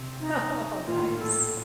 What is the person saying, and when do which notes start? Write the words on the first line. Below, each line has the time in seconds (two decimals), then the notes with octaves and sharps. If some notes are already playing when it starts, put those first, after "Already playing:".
Oh, nice,
Already playing: C3
0.20 D#4
0.86 A#2 F4
0.98 A2
1.20 A2 A4